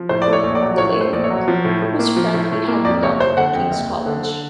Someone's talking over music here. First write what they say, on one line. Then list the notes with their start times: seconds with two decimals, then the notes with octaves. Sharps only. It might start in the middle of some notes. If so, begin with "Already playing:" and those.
Delane, whose friend he had become at King's College.
Already playing: F3
0.09 A2 C5
0.22 D5
0.27 A3
0.33 C#5
0.43 A#1
0.55 D5
0.62 F#3
0.78 A2 C#5
0.96 A3 C5
1.12 A#1 D5
1.24 C#5
1.30 F#3
1.48 F3
1.65 A2
1.82 A2
1.99 A#3
2.16 F3
2.34 A2
2.51 A2
2.68 A#3
2.85 F2 D5
3.02 F#1 C#5
3.20 F#1 C5
3.37 D3 F#5
3.54 F2 G5
3.71 F#1
3.89 F#1
4.06 D3
4.23 D3